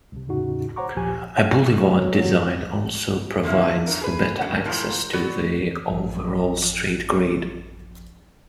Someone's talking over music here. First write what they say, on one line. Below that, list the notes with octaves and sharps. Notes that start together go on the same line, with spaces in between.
A boulevard design also provides for better access to the overall street grid.
C2 C3
E2 A2 C#3 D#4 F#4
C5 C#5 F#5 A#5 C#6 D6
A#1 D#2 A#2 F3 G4 G#5
F#3
D3 F3 A#3 E4
F#2 A#2 D4 A#4
G#4 B4
F#3 C#4 D4
A#2 E3 F3 G4 A#4
F#3 B3 F#4 D5
A1 F#2 F3